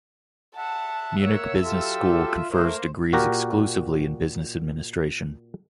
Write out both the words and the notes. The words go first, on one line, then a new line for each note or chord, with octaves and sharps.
Munich Business School confers degrees exclusively in business administration.
E5 F#5 A5
A#3 C#5 E6
F#3 F4 G4 A4 E5
A3 A#3 C5
A#2 F#4 G4 A#4 A#5